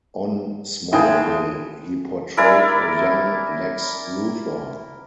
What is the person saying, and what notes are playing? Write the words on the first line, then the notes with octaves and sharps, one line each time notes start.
On "Smallville", he portrayed a young Lex Luthor.
D#2 E4 G#4 G5
E4 A#4 D5 G#5